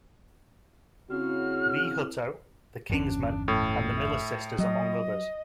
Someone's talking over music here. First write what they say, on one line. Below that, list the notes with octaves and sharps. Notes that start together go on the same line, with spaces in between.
B. Hutto, the Kingsmen, and the Miller Sisters, among others.
C#3 C4 E4 F#4 F6
G1 E2 C#4 D4
A2 A4
E5
F#3 D#5